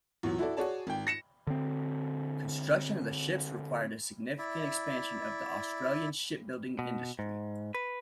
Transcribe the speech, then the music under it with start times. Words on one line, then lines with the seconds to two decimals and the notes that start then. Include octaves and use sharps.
Construction of the ships required a significant expansion of the Australian shipbuilding industry.
0.23 E2 A#2 F#3
0.38 E4 F#4 A4 D5
0.57 F#4 G#4 C#5 D5 A5
0.87 G#1 G5
1.07 A#6 C#7 E7
1.47 D3 C4
4.39 E4 D5 E5
6.79 B2
7.19 G#2
7.75 B4